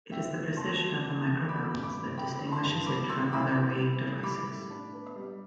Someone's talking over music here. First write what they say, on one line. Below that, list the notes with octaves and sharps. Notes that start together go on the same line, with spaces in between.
It is the precision of the microbalance that distinguishes it from other weighing devices.
D3 E5 G5
E2
E2 A5 C6
G3
D3
E2
D3 B5 D6
G2
B5 D6
G2
A3 G5 B5
D3
B5
A5 C6
G2
G3 B5 D6
A2 C6 E6
E4 B5 D6
C4
G3
A2
G3 B5 D6
A2
D4
B3
G3